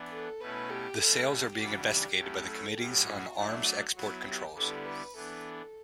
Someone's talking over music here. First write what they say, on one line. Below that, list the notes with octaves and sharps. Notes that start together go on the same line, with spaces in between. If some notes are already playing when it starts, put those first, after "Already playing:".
The sales are being investigated by the Committees on Arms Export Controls.
Already playing: E3 B3 D4
A4
B2 A3 C#4 E4 B4
G4
B2 A3 C#4 A4
G4
C#3 E3 G3 D4 F#4
G4
F#3 A3 C#4 E4
A4
A2 F#3 C#4 G4
F#4
F#3 A3 D4 E4
F#4
F#3 B3 E4 F#4
G4
D3 G3 B3 E4 A4
B4
E3 B3 D4 A4